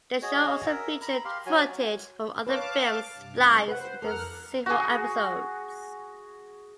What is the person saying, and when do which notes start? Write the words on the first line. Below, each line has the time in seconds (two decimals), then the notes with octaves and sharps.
The show also featured footage from other films spliced into several episodes.
0.22 F#4 G#4 C#5 D#5
0.66 A#4 E5
1.02 A#5 B5
1.25 G4 F5 C6
1.46 F#3 F#4 G#5
2.47 B4 C#5 F5 A5 D6
3.18 G2 C3
3.68 B4 C5 F#5
4.02 F2 A4 A#4 F#5 F6
4.66 F#4 G#4